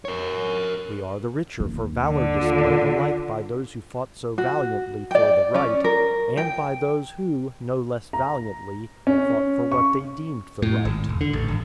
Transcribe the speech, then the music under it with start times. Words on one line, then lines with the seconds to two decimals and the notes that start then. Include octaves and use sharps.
We are the richer for valor displayed alike by those who fought so valiantly for the right, and by those who, no less valiantly, fought for what they deemed the right.
0.05 A#4 C#5
1.60 D#2
2.09 D3
2.42 F4
4.38 F#4
5.11 D5 G5
5.54 C#4 D5
5.84 A#4
6.37 G5
8.13 A#5
9.07 C#4
9.72 C#6
10.62 A2
10.85 G#1
11.09 E1
11.21 D3
11.33 A1
11.48 G#1